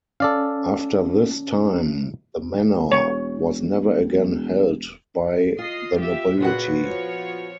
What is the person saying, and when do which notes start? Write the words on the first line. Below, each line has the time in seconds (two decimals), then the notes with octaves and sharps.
After this time the Manor was never again held by the nobility.
0.20 C#4 A4 D5 F5
2.92 E1 C#5
5.59 F4 D#5 C7
5.98 G4 E5
6.40 A#2 C#3 B3 F#4 F#5
6.81 F3 C#5